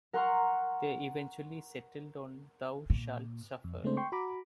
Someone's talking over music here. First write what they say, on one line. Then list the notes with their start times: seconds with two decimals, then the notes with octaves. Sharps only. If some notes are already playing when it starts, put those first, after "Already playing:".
They eventually settled on Thou Shalt Suffer.
0.13 A#4 F#5 A#5 C6 C#6 F6
2.90 A#2
3.64 F2
3.83 C#3 G#3 A3 C4 D4 C5
3.97 G5 C6 C#6
4.12 F#4 A#5 B5 D6